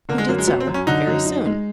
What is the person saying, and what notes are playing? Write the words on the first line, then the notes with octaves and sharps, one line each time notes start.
He did so, very soon.
D3 A#3
G#3
F#2 A#3
G#3
F#3 B3
C4
F#2
C#4
D3 D#4
F#2
D#4
G#3